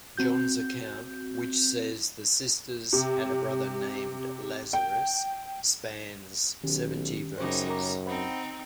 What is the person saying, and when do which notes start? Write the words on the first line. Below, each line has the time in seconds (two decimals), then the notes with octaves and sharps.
John's account, which says the sisters had a brother named Lazarus, spans seventy verses.
0.17 C4 F#4 G6
2.93 C3
4.73 G5
6.63 B1 D#3 C#4 G4
7.38 F#2 C#3 G3 D#4 C5 C#5 D6
7.69 A#4 A#5 D6
8.06 C4 D#4 C5 F#5 G5 B5